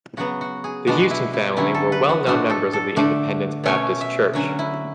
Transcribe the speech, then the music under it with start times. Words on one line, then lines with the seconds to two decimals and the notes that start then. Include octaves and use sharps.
The Houston family were well-known members of the Independence Baptist Church.
0.17 C#3 F#3 B3 F#4
0.41 F#4
0.64 G#4
0.87 B2 G#3 B3 D4 F#4
1.10 E4
1.33 E4
1.56 D3 F#3 C#4 E4
1.74 A4
1.92 B4
2.09 F#4
2.26 A2 G#3 D4 F#4
2.50 A4
2.73 A4
2.96 D3 A3 D4
3.64 B2 A3 C#4 C#5
4.01 E5
4.33 D3 F#3 C#4 F#4
4.59 E4